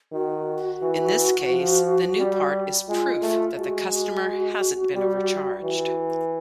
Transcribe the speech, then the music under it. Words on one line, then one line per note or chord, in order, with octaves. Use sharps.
In this case the new part is "proof" that the customer hasn't been overcharged.
D#3 F#4
E3
F3
G3
G#3 F4
A3
G#3 F#4
G3
E3